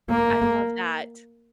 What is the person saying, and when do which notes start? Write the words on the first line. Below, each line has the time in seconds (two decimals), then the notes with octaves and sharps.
I love that.
0.10 A#3